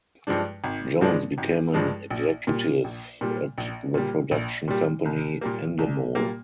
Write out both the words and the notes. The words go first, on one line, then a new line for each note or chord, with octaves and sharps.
Jones became an executive at the production company Endemol.
G2 F3 G#3 D4
G#1
G2 F3 G#3 D4
G#1
G2 F3 G#3 D4
A#1
A#2 G3
A#1
A#2 G3
A#1
A#2 G3
A#1
A#2 G3
C2
A#2 G3 A#3
C2
A#2 G3 A#3